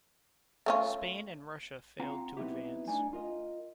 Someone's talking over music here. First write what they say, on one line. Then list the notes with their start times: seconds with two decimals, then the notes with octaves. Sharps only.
Spain and Russia failed to advance.
0.66 A3 C#4 F4
1.99 C4 F4 F5 F#5 A#5
2.37 F#3 B3 C4 D#4 E4 G4
2.88 A3 D4 D#4 D5 G#5
3.13 F4 A#4 D#5